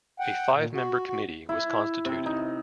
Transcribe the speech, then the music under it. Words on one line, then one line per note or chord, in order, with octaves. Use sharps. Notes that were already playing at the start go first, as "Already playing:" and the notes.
A five-member committee was constituted.
F#5 G5
A#2
F#4
F#4
E4
C3
D#4